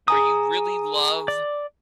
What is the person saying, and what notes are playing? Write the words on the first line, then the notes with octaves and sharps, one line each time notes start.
where you really love
G#4 G#5 A#5 D#6
D5